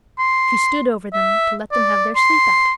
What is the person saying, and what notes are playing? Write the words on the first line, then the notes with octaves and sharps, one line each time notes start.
She stood over them to let them have their sleep out.
C6
E5
D5
C6